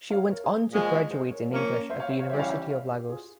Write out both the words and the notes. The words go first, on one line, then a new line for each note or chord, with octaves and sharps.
She went on to graduate in English at the University of Lagos.
C#5 F5
A#4 C#5
G#4 C5
A#2 F3 G#3 C#4
G#4 C5
A#4 C#5
F3 A#3 C#4
C5 E5
C#5 F5
C5 E5
C#5 F5
C#3 E3 G3 C#4 C5 E5
C#5 F5
E5 G5
C#5 F5
G4
F4 G#4